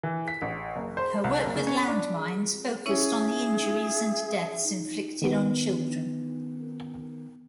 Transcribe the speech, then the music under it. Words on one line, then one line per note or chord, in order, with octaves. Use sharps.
Her work with landmines focused on the injuries and deaths inflicted on children.
E3
B6
A1
F#1
C5
C2
F#1
C#3
C#4
D4
C#4 E4 G#4 C#5 E5
D#3 B3